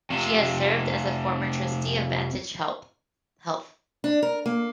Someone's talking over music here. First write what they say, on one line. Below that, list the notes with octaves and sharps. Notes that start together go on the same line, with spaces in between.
She has served as a former Trustee of Vantage Health.
F2 C3
D4
A#4
A#3